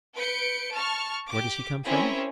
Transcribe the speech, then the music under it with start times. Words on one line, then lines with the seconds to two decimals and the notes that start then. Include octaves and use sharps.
Where does he come from?
0.17 B4 G6 C#7 D7
0.72 A5 C#6 F6
1.30 G4 D6
1.85 C4 C#4 E4 G#4 A#4 C#5